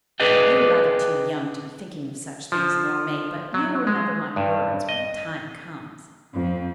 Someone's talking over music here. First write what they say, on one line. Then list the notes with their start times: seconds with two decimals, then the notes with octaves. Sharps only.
You're rather too young to be thinking of such things, Nora May, but you'll remember my words when the time comes.
0.20 G#4 B4 D5 D#5 G5
2.52 F3
3.54 F#3
3.87 G#3
4.36 G2
4.89 D#5
6.32 F2